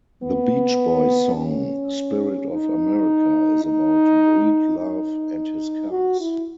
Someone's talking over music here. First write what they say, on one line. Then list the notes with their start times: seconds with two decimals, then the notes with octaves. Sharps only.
The Beach Boys song "Spirit of America" is about Breedlove and his cars.
0.23 B3
1.36 C#4
2.50 D#4
3.65 D#4
4.78 D#4
5.91 F#4
6.20 E4